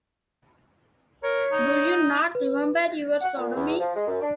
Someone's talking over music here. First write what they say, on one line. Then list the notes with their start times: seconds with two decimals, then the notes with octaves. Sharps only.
Do you not remember your sodomies?
1.23 A#4 C#5
1.52 D#4
2.35 B4
3.21 F#5
3.37 A#2
3.56 E2
3.80 F3
3.95 G#3
4.07 F#2
4.22 D4